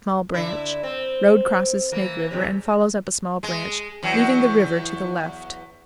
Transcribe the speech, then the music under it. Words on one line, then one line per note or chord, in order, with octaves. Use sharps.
Small Branch.--Road crosses Snake River, and follows up a small branch, leaving the river to the left.
D3 E4
C4
E3 A#3
E2 G#2 C3
G#3
E2 F#3